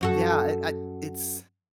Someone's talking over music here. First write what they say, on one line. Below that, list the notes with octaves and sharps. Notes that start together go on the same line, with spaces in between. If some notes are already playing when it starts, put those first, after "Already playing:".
Yeah, it I it's
F#2 F#4 A4